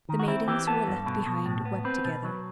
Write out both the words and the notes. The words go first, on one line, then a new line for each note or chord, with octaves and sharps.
The maidens who were left behind wept together.
D#3
F#4
C4 E4
E3 G4
B3 A4
G2
B2
B2
A2
B3
C4 B4
B2
F#3